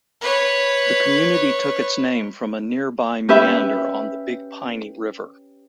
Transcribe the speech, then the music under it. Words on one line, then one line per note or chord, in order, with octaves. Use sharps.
The community took its name from a nearby meander on the Big Piney River.
B4 C#5
C#4 G4 B4 E5